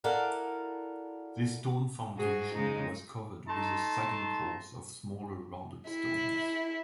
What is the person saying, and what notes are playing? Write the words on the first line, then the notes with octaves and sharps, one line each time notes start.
This stone foundation was covered with a second course of smaller rounded stones.
E4 F#4 A4 A#4 D5 F5
G#2 F#4 G#4
C#3 G#3 D#4
A3 D#4 A5 A#5 C6
E4